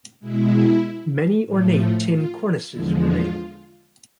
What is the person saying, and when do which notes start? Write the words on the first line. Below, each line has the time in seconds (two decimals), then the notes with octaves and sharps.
Many ornate tin cornices remain.
0.20 B2 G#3 E4
1.45 A2 F3 A3
2.08 F4
2.70 E2 D3 F3 G#3 E4
3.02 F4